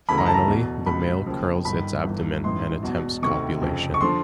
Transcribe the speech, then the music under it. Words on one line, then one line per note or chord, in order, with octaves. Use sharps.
Finally, the male curls its abdomen and attempts copulation.
D2 C#3 E3 B5
A#5
A5
A#5
E2 B2
C#2 B2 B5
D#2 C#3 F3
G1 G2 D#3 B5
G1 G2 E3
A1 G#2 E3 C6
E1 E2 B2
D2 C3 D#3 C#6
F1 F2 C#3 F3
C#6
D3 F3 C6